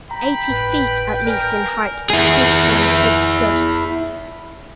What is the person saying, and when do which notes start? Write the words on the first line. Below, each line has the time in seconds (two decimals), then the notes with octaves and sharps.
Eighty feet at least in height, this cruciform shape stood.
0.11 G5 A#5 B5
0.50 G#1 A2 B4
1.27 A#4 D5 G#5 F6
2.10 E4 G#4